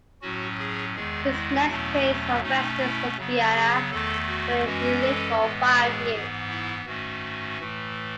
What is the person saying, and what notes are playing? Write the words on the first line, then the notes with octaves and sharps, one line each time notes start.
His next place of residence was Vienna, where he lived for five years.
A2 F#3 C#4 F#4
G#4
E2 D#3 G#3 G#4
E4
E2 B2 F#3 A3 C#4
B2 A3 C#4 D#4
E4
C#3 F#3 B3
G#4
E2 D#3 A3 A4
F#4
F#2 E3 G#3 C#4 F#4
A4
A2 E3 G#3 B3
G#4
G#2 E3 B3
E4
G#2 D#3 A3 C#4 F#4
A2 E3 A3